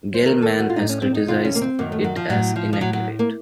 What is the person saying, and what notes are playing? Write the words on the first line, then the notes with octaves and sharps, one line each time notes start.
Gell-Mann has criticized it as inaccurate.
C5
D#2 D#3 A#4
A4
F#4
F4
A2 D#4
C#4
C4
D#4
F2 C3 D#3 F4
C#4
A#3
C4
F#2 D#3 A#3
A3
F#3
F3
A2 F#3
F3
F3
A2 F#3
F#3
A#3